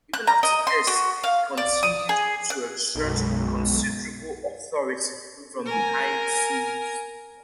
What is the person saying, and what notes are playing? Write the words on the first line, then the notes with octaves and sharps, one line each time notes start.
Even after this, he continued to exert considerable authority from behind the scenes.
F#6
A#5
D#5
C6
F#4
F5
D5
D#6
G#4
F#6
B1 F#2 B2 G#3
A#4 G#5